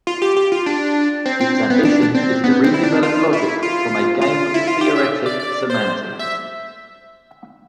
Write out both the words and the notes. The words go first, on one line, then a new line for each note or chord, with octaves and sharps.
Its ambition is to redevelop logic from a game-theoretic semantics.
F4
G4
G4
F4
D4
C4
C4
C4
B3
D4
C4
B3
C4
E4
D4
F4
E4
F4
F4
E4
F4
G4
E5
D5
D5
C5
E5